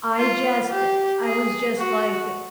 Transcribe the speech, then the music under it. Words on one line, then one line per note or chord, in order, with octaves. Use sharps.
I just I was just, like, eh,
F4
G4
G#4
F#4